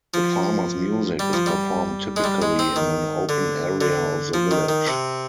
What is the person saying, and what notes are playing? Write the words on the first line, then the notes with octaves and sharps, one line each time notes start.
The farmers' music is performed typically in an open area of the village.
F3
G3
F3
G3
G#3
G3
G#3
C4
D#3
D3
D3
F3
D#3
D#3
C3